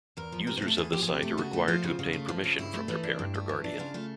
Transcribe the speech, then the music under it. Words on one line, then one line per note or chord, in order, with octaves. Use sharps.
Users of the site are required to obtain permission from their parent or guardian.
E2 A#4
F3
C3 A#4
C5
A3
A4
E2 G#4
F3 G4
G#4
C3 G4
A3
C#3 F#4
A3
F3 F4
C#3
C#3
A3
F3
C#3
G2 E4
A3
E3 D#4
D4
G2
A3
E3
D4
C#3 F4
A3 F4